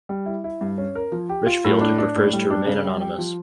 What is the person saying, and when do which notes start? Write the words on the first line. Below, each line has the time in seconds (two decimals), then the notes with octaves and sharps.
Richfield who prefers to remain anonymous.
0.09 G3
0.26 E4
0.44 E4
0.61 G2
0.78 C#4
0.95 A#4
1.12 F3
1.29 G4
1.46 F4
1.64 A2
1.81 D4
1.98 D4
2.16 A2
2.33 G3
2.50 D4
2.67 C#3
2.85 G3
3.01 G4
3.18 F3